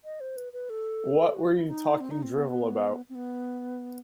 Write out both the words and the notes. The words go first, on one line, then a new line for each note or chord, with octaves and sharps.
What were you talking drivel about?
D#5
C5
B4
B4
A4
F#4
E4
D#4
C4
D#4
C4
B3
C4
B3